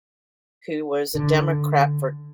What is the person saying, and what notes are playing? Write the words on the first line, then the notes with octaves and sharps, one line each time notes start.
who was a Democrat for
D3